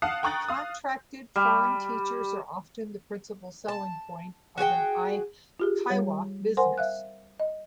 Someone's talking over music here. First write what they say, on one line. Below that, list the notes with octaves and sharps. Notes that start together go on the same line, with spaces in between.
Contracted foreign teachers are often the principal selling point of an eikaiwa business.
F5 F#5 A5 D#6 F#6 C7
G5 A#5 C#6 D#6 F#6 A6
F5 D#6
G3
A5
F#4 G#4 C#5 G5
F4 G4 G#4
G3 C#5
A#4 C5 F#5 G#5 C6
E5 F5 F#6
D#5